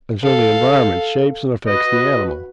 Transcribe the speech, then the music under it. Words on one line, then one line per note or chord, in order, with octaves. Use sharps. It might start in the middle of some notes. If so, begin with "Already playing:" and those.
And so the environment shapes and affects the animal.
A4 F5
F#4 B4 D#5